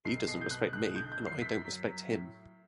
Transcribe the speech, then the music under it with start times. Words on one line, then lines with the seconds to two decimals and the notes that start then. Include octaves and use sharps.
He doesn't respect me and I don't respect him.
0.05 B1 C7
0.27 B2 C7
0.41 G6
0.51 B2 F#6
0.73 B1 F#6
0.96 D3 G6
1.12 G6
1.19 F#2
1.27 C7
1.42 F#2 B6
1.65 F#3
1.87 F#3
2.10 A2